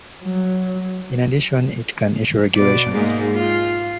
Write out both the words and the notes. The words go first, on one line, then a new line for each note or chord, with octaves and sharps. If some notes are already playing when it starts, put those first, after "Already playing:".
In addition, it can issue regulations.
F#3
B2 D5
G#2 G#3 A#3
F4